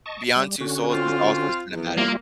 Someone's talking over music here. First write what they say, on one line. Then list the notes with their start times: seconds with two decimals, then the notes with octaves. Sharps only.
Beyond Two Souls is also cinematic.
0.06 D#5 A5 C#6
0.36 G3
0.61 D3 C#4 F#4
0.90 C4 F4
1.71 E2
1.97 G3 A#3 F4 E5